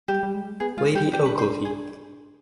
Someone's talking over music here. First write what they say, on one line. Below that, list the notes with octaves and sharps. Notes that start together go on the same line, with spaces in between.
Lady Ogilvy.
G3 G4
G3
G#3
B3 G#4
G#3 F4
G3 G4
D4 G4
B4
C5
G#4